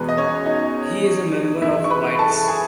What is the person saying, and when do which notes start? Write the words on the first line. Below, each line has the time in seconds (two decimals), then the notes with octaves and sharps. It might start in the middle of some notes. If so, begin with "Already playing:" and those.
He is a member of White's.
Already playing: E2 B2 G#3 B4
0.09 D#5
0.17 C#4 C#5
0.46 D#4 D#5
1.61 C#2 C#3 E3 G#3 E4 E5
1.84 C#6
1.90 B4 B5
2.19 A4 A5
2.48 G#4 G#5